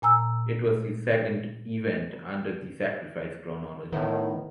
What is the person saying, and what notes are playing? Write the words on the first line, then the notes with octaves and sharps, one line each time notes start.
It was the second event under the Sacrifice chronology.
A#2 G#5 A#5 E6
A2 D#3 B3